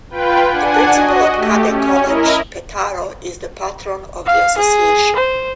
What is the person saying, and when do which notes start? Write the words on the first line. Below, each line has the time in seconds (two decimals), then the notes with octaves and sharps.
The Principal of Cadet College Petaro is the Patron of the Association.
0.10 F4 B4 G5
0.49 D4 F#5 G#5
0.92 F#4 D#5
1.33 A3 G4
1.67 C#4
2.03 E4 A#4 D#5
4.27 F5
4.58 G#4
5.16 C5